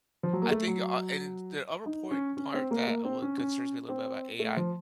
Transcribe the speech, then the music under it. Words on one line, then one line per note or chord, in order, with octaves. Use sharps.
I think, uh, it d and the other point part that wha concerns me a little bit about AI
F3
F#3
A#3
A3
F#3
D#4
C#4
C#4
C4
A#3
A#3
C4
C#4
C#4
C4
A3
F3